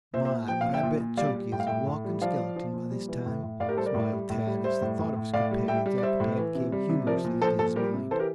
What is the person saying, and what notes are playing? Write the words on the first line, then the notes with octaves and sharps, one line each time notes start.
"My, but I'll bet Chunky is a walking skeleton by this time," smiled Tad, as the thought of his companion's appetite came humorously into his mind.
A#2 C5 E5
C5 E5
A#2
F3 G5
A#2 F5
E5 G5
A#2
A#2
G3 D5 F5
G3
A2 G5
F5
A2 E5 G5
A2
G3
F3 D5 F5
F3
F3
A#2
G3
E3
A2
A2
A2 D5 F5
G4 A#4
G3 A4 C5
A#4 D5
A2
G3
A2
G3
G3 C5 E5
A2
A2
A2
A2 D5 F5
G3
G3 E5 G5
G3
D5
G3 C5 E5
A2
E3
C3
G3
C3
F3 A#4 D5
A#2
F3 A4 C5
A#2 A4
G3 G4 A#4
C3
E3 A4 C5
G4 A#4